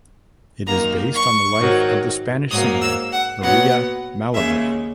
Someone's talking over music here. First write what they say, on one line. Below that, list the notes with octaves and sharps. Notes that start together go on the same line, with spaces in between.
It is based on the life of the Spanish singer Maria Malibran.
F#2 D#3 A#3 A#5
C#6
G#2 D#3 F#3
G#2 F#3 A#3 D#6
E6
F#5
A#2 F#3 B3 F#5
D#2 C#3 G#3 E5